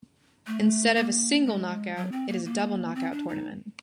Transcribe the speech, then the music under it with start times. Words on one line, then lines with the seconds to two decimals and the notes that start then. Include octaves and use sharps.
Instead of single knockout, it is a double knockout tournament.
0.47 A3
0.96 A#3
1.46 G#3
1.96 F#3
2.12 C4
2.29 A#3
2.45 A#3
2.95 C4
3.12 D4
3.28 D#4